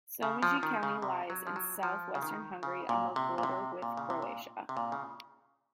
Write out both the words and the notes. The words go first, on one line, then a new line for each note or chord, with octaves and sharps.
Somogy county lies in south-western Hungary, on the border with Croatia.
C#3
F3
D#3
C#3
C3
F#3
F3
F#3
F3
C#3
D#3
C#3
A#2
C3
A#2
C3
A#2
C#3
C3
A#2
C3
A#2
C#3